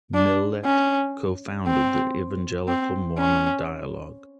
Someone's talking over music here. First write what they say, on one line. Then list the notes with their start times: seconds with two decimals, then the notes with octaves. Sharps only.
Millet co-founded the evangelical-Mormon dialogue.
0.14 D4
0.65 C#4
1.67 C4
2.68 C4
3.18 C#4